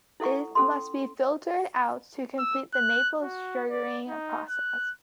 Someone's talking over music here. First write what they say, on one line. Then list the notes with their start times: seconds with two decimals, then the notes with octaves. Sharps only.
It must be filtered out to complete the maple sugaring process.
0.20 E4 A4 F#5 C#6
0.55 C#4 A4 C6
2.39 E6
2.73 F#6
3.23 F#4
3.70 D5
4.09 D#4
4.49 F#6